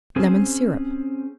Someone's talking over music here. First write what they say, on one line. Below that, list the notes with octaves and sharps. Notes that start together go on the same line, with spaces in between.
Lemon Syrup.
C4 C#4 G#4 C5